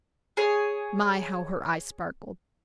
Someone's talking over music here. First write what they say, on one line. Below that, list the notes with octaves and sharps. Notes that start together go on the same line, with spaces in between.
My, how her eyes sparkled!
G#4 C#5